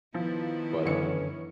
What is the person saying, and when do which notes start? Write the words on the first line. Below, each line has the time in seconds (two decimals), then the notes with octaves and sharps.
but, um
0.14 D#3 F3 B3 E4
0.85 F#2 D3 E3 C#4 C#5 C#7